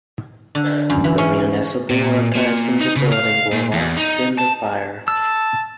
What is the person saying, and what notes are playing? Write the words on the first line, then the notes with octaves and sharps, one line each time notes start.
The municipal archives in the building were lost in the fire.
D3
F#2
E3
C#4
A#2
A#2
D#4
C#3
F5
A#2
E2
D#4
A5
A5 E6